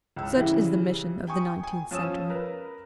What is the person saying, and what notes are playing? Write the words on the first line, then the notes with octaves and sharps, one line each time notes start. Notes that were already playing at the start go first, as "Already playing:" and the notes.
Such is the mission of the nineteenth century.
C#2 E6
C#3 E3 G3 E4
G5 G#5 C#6 D#6
G#5
F3 C#4 D#6 E6 E7
A#4 B4